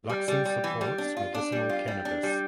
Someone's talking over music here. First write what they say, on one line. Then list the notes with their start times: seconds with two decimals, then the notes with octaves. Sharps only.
Luxon supports medicinal cannabis.
0.09 G3
0.28 G3
0.45 G3
0.64 E3
0.81 G3
0.98 D4
1.17 F4
1.34 D4
1.52 G3
1.69 F4
1.88 G3
2.05 D4
2.23 G3